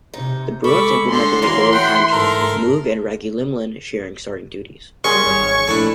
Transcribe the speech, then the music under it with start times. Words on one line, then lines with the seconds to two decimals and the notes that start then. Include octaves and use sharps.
The Bruins implemented a goalie timeshare, with Moog and Reggie Lemelin sharing starting duties.
0.14 C3 D#4
0.64 G#3 A4 B5 C#6 D6
1.10 D3 C6
1.42 C#3 E3 F#3 A#3 C#4
1.73 A3 F#5 G5
2.11 G#2 A4 A#4 A#5
5.04 F#2 C#3 G3 G#4 C6 C#6
5.26 G#1 C#5
5.68 A#1 A3 D4 E4